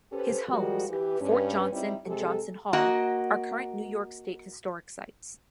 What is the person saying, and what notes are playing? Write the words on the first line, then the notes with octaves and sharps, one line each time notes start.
His homes, Fort Johnson and Johnson Hall are current New York State Historic Sites.
C#4 G4 A4 B4 C5
F3 G3 G#3 F#4 G4 A#4
E3 G4 B4
G2 C#4 B4
G3 C4 D#4 E4
C3 G#3 G4 A4
A#3 F#4 D#5